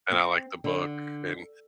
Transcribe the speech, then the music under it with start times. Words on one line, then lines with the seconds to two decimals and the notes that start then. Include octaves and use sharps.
and I liked the book and
0.12 C4
0.64 D3